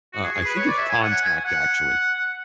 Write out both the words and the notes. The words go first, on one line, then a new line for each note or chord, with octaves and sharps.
Uh, I think it's Contact actually,
F#4
G#4
G#4
B4
C#5
D5
E5
G#5
F#5
G#5
F#5